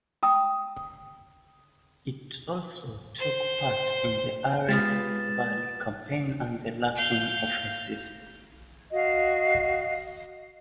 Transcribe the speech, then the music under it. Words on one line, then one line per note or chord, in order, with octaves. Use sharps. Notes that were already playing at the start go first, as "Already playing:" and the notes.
It also took part in the Aras Valley campaign and the Lachin offensive.
G5 A#5 D#6 E6
C5
G#3 B3 F4 G4 A6 E7
F5 G6
F#4 D#5 F5